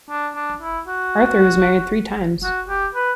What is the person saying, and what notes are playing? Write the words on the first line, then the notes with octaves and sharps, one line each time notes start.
Arthur was married three times.
D4
D4
E4
F#4
F#4
G4
B4